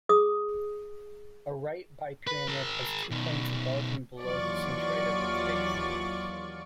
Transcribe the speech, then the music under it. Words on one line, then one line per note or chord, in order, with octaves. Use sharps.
A right bipyramid has two points above and below the centroid of its base.
G#4 D#6
B4
G#4 A#4
B2 D#3
D#2 E3 F#3 F4 D5 C#6